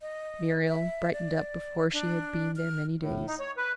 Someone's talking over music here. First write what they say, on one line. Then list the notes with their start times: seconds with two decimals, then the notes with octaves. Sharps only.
Muriel brightened up before she had been there many days.
0.01 D#5
0.68 E5
1.13 D5
1.93 D4
2.56 F6
3.00 A2
3.27 D#4
3.40 C#5
3.57 B4